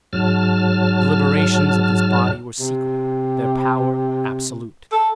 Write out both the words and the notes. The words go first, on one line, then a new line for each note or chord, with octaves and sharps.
The deliberations of this body were secret, their power absolute.
G#2 F#3 A5 F6
C3
A4